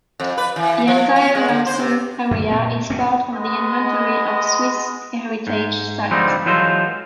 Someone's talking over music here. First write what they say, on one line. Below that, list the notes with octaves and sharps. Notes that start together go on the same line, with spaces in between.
The entire Lausen area is part of the Inventory of Swiss Heritage Sites.
F2
B4
E3
F3
C#4
G#3
D3
C5
C3
F#2 D3
A#2 C4
F#1 F#2 C4 C#4
G#3 B3 D#5
G#2
D3 F3 G3 G#3 C4 D#4
E3 F#3 G#3 F4 A4 C5